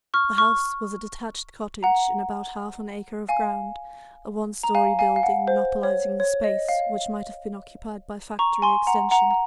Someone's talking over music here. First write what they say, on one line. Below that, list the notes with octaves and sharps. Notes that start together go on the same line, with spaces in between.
The "house" was a detached cottage in about half an acre of ground, a one-storey building, monopolising the space which might have been occupied by factory extension.
C#6 F6
C#6 F6
F#5 A#5
F5 G#5
A#5
F5 G#5
F5 G#5
F5
F#5
C5
C#5
C#5
D#5
F5
A#5 C#6
G#5 C6
F#5 A#5
F#5 A#5
A#5